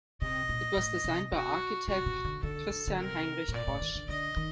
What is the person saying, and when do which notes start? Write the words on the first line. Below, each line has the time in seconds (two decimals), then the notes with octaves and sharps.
It was designed by architect Christian Heinrich Grosch.
0.22 C3 D#5
0.49 A#2
0.77 A2
1.04 C3
1.32 C3 F#4
1.88 C3 F#4
2.06 C3
2.25 D3
2.43 D3 A4
2.70 D3
2.88 D3
2.98 C3 A#4
3.48 A2
3.54 A#2 D5
3.67 A2
3.81 D#3
3.95 D3
4.09 D3 D#5
4.37 D#3